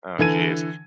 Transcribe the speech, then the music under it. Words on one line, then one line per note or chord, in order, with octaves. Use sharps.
Oh, jeez.
D3 E3 A4 G#6 D#7